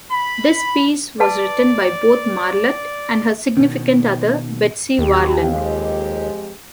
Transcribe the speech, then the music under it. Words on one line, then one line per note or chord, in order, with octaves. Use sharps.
This piece was written by both Marlatt and her significant other, Betsy Warland.
B5
B4 D5 F#5 A5
B2 D#3
D#2 G4
F2 G#3 G4